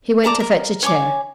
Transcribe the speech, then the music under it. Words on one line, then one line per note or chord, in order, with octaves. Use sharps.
He went to fetch a chair.
D5 A5 A#5 D6
A#4
C#5 G#5 D6